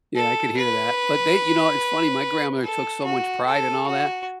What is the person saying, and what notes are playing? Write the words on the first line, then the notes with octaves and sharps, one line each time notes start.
Yeah, I could hear that, but they, you know, it's funny, my grandmother took so much pride in all that,
A4
B4
A4
F#4
A4
F#4